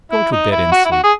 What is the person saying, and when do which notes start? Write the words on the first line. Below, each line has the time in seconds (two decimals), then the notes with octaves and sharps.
Go to bed and sleep!
0.11 E4
0.32 D#4
0.52 E4
0.72 F#4
0.85 E4
0.92 F#4
1.04 G#4